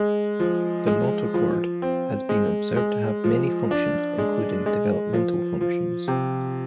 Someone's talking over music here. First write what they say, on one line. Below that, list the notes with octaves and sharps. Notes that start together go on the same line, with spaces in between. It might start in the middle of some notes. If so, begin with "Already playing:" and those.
The notochord has been observed to have many functions including developmental functions.
Already playing: G#3
F3
G#3
F3
C4
G#3
G#3
F3
D4
G#3
G#3
F3
F3
C3